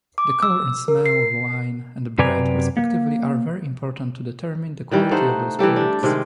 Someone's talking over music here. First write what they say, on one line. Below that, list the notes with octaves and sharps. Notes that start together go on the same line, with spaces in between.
The color and smell of wine and bread respectively are very important to determine the quality of those products.
D6
E6
A#4
C7
F#2 C3 B4 D5 G#5 A#5
A#3
D#3 E3 G3
A3 D#4 C5 F#5
E3 G3 G4 A4
D4
C3 D#3 G#3